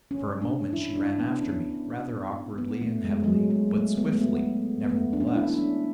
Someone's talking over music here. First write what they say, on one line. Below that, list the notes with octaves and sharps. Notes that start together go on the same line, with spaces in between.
For a moment she ran after me, rather awkwardly and heavily, but swiftly, nevertheless.
C#4
D4
E4
D4
B3
C#4
B3
A3
G#3
G#3
F#3
G#3
A3
B3
A3
B3
B3
A3
D4
C#4
D4
E4
E4
D4